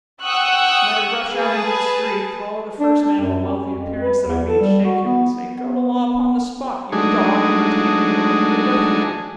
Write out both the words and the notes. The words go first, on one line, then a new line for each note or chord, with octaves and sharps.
Am I to rush out into the street, collar the first man of a wealthy appearance that I meet, shake him, and say, "Go to law upon the spot, you dog, and retain me, or I'll be the death of you"?
F#5 G5 C#6 D#6 E6 F#6
G#4 B4 A5
D4
D4
F#2
C#4
F2
B4
E2
A4
G3
F#4
B3
B3
F#3 G#3 A3 D4 D#4 G#4